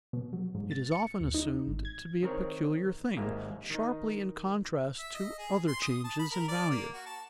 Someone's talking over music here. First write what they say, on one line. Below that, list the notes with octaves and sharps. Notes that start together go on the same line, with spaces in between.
It is often assumed to be a peculiar thing, sharply in contrast to other changes in value.
B2
F#3
G#2
A6
C#7
D#2
D#4
G#1
G#6
D#3 C4 A#4 C#5
G#1 G#3 A#3 D#4 G4 E5
D#3 D#4
E5
D#5
G#4
C6
D#6
A5
B5
A#4
D5
A#3
F#4
A5